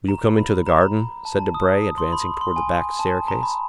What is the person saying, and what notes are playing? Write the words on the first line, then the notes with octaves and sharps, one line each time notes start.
"Will you come into the garden?" said Debray, advancing towards the back staircase.
A#5
B5
A#5
B5
A#5
A5
A5
D#6
D#6
C6
B5
C6
G#5
A5
A#5
B5